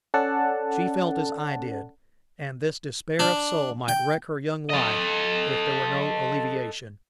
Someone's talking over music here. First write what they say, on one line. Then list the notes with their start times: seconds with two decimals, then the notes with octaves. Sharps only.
She felt as I did, and this despair of soul might wreck her young life if there were no alleviation.
0.14 C#4 A4 D5 F#5 A5
3.19 D4
3.88 G5
4.69 A4 D#5